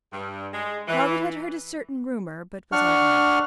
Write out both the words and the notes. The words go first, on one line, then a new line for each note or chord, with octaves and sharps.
Margaret had heard a certain rumour, but was all right.
G2
G#3
E3
D4 F#5 C#6 F6